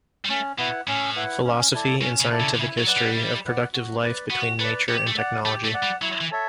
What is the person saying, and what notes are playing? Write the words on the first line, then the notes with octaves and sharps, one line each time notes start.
Philosophy and scientific History of productive Life between Nature and Technology.
G3
A3 C#4
B2 E4 B4 F#5
A2 C#4
E4 B4 F#5
C#4
E4 A4 D5
B2 C#4
C#3
E4 A4 D5
C#3
D3
C#3 E4
F#3
B4 D5 F#5
G3
E4
B4 D5 F#5
F#4
B4 D5
B3 F#4
A3 B4 D5
B3 G4
A3
D5 F#5
A3 G4
A3
D5 F#5
G3
F#3 E4
E3
A4 C#5 E5